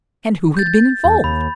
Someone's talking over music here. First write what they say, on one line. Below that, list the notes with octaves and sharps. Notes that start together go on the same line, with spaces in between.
And who had been involved?
G6 A6
E2
D#2 B5